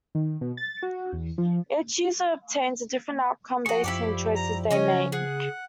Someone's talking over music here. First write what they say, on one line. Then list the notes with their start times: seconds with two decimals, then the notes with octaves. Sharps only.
Each user obtains a different outcome based on the choices they make.
0.15 D#3
0.41 B2
0.57 A6
0.83 F#4
1.13 E2
1.38 F3
3.66 F3 F#4 G#4 C#6
3.84 F#2 E4 G4 D5
4.35 A#5
4.71 C#3 C#4 C#5 D#5 G#5
5.12 G#4 F#5